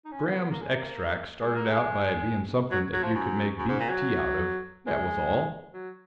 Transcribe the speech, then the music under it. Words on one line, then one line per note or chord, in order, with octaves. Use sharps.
Graham's Extract started out by being something that you could make beef-tea out of--that was all.
D#4
C#4
B3
B3
A#3
G#3
A#3
G#3
A#3
G#3
F#3
F#3
F3
F#2
F#2
G#2
A#2
F#3
G#3
F#3